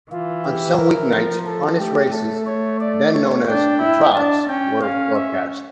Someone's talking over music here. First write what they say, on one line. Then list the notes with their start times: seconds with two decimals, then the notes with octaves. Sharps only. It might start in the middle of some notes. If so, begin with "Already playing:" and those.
On some weeknights, harness races, then known as "the trots", were broadcast.
0.11 E3 F4
0.45 G4
0.78 A#4
1.12 F3
1.46 A4
1.79 A3 G4
2.13 A3 A4
2.47 C#5
2.80 D5
3.14 C#5
3.47 D4 G5
3.81 E4
4.15 D4 A5
4.48 C#4 G5
4.82 C#4 F5
5.15 E5